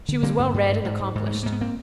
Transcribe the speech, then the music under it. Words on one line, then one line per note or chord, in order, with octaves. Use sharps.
She was well read and accomplished.
D3
D3 A#3 C4
G2
G2
G#2
G#2
G#2
G#2
G#3
G#2 A3
G#2 A#3
B3
A#3 C4